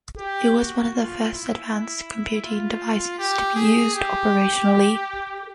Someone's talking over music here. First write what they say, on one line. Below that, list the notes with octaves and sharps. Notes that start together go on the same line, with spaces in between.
It was one of the first advanced computing devices to be used operationally.
G4
F#4
F4
E4
E4
F4
G4
G#4
G4